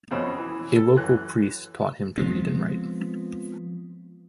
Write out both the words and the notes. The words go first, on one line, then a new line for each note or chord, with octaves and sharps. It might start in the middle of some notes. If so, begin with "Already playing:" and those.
A local priest taught him to read and write.
F2 B2 C4 C#4
E3
A4
F#2 E3 F#6
F3 G#3 B3 C4